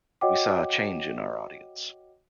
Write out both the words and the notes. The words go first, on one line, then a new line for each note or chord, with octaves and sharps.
We saw a change in our audience.
F#4 C#5 D#5 F#5 G5 D6